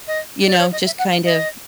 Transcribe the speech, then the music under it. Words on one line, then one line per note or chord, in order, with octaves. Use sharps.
you know, just kind of
D#5
D5
C5
C#5
D#5
E5
F#5
F5
D#5